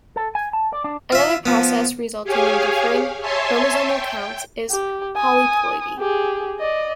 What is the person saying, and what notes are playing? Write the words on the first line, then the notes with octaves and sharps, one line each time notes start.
Another process resulting in differing chromosomal counts is polyploidy.
A4
G#5
A5
D5
D4
F4 E5
F3 B3
G4 G#4 C#5 F5 G#5
C#5 E5 G#5 A5 C6
G5
G4
G#5 D#6
G4 G#4
D5 D#5